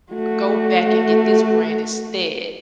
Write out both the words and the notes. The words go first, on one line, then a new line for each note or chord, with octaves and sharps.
go back and get this brand instead.
A3 F#4